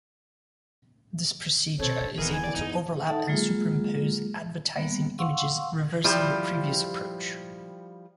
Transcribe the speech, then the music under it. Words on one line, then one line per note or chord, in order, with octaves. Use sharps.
This procedure is able to overlap and superimpose advertising images, reversing the previous approach.
B2 C4 A4 C5 C#5
C#4 D4
D#1 E3 B3 D#4 G#4 A#4
G#5
D5
G1 F2 D#4
D#4 A4 E5 F#5 A5
F#3 G#3 A#3 F4 G#4
G3 A#3 B3
F5 F#5 C6 C#6 E6
F3 G3 E4 G4